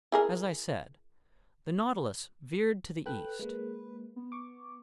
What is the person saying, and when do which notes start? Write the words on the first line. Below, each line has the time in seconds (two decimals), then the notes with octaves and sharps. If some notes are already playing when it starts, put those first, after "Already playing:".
As I said, the Nautilus veered to the east.
0.12 E4 G#4 A#4
3.06 A4 B4 G5 F#6
3.39 G#3 A#3
4.16 B3
4.32 C#6 D6